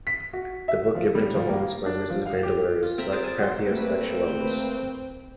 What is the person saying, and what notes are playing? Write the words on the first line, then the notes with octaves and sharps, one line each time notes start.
The book given to Holmes by Mrs Vandeleur is "Psychopathia Sexualis".
B6
F#4
E5
F3
G3
F3
A#3
D4
F3
F5
G4
F4
C4 E5 A#5 B5
G#4 A#4 C5 D5
D5 G#5
F#3 C6
A3 A#3 C4 B4